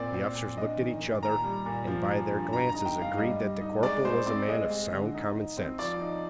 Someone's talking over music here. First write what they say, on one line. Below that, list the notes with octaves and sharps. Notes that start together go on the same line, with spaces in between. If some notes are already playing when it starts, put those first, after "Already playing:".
The officers looked at each other, and by their glances agreed that the corporal was a man of sound common sense.
Already playing: A#2 C4 D5
C4
A#2
D4 D#5
D#3
D#3
A#2 A#5
G3
A#2
F3
F3
G2
G2 A#5
A#5
D#4
G5
G2
F5
G3 D#5
G3
D#4
G#3 D5
G#3 C5
C4 D5
G#3 D#5
G#3
D3
D#4
D#4
C4
F3 D5
D#4